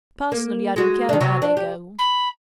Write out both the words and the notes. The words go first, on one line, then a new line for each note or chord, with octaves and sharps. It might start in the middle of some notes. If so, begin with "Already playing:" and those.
Personally, I don't care where they go.
A#3
G#3 F#4
D#3 D4
C3 F#3 F#4
D4
G4
B5